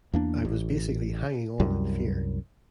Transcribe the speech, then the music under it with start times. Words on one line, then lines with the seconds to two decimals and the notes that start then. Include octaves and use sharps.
I was basically hanging on in fear.
0.13 E2 A#3 D4
0.45 A1
1.60 C2 F#2 G3